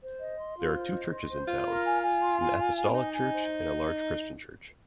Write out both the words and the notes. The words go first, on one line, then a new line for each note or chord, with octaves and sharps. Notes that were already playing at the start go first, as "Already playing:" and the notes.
There are two churches in town, an Apostolic Church and a large Christian church.
C5
D#5
C6
F4
C5
D#5
C6
C5
F4 C6
A#4
G#5
G#5
C6
G#5
G#5
G#5
C4
D#4 D#5
G#5
C5